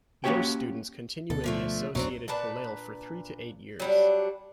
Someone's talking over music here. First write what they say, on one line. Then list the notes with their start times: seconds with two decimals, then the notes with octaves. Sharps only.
Most students continue in the associated kollel for three to eight years.
0.24 A#3 C#4 F#4 G4 C#5 G5
1.30 D2 B2 A4
1.44 D3 F3 A3
1.95 F1 C2 B2 F#3 C4 D4
2.28 A#2 D4 B4 A5
3.80 F#3 G3 D4